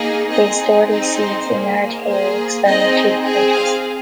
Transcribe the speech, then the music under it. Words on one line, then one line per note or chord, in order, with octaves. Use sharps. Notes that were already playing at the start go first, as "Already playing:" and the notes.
They store these seeds in large hairy external cheek pouches.
Already playing: A#3 D#4 G#4
C4 D#4 G#4 D#5
C4 D#4 G#4
C5
A#3 G#4
A#3 G#4 C5
C4 D#4 G#4 D#5
C4 G#4
F5